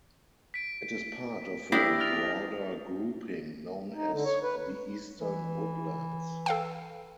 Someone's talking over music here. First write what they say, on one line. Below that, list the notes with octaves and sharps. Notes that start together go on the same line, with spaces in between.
It is part of a broader grouping known as the Eastern Woodlands.
B6 D7
D4 E4 G4 D#6 A#6
F6 A6 F7
D#4
D3
C#5
B4
E3
A4 F5 G5